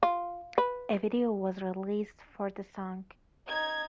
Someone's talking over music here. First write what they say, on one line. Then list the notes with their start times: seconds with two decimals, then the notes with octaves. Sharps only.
A video was released for the song.
0.03 F4
0.58 B4
3.49 D#4 G#6